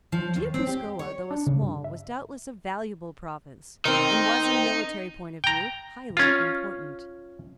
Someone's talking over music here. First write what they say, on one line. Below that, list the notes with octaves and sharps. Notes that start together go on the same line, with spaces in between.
Guipuscoa, though a small, was doubtless a valuable province, and was in a military point of view highly important.
F3
D#2
C4
G4
C#5
D4
C#3
G2
E5
D#3 C4 D#4
G5 A#5
C#4 F4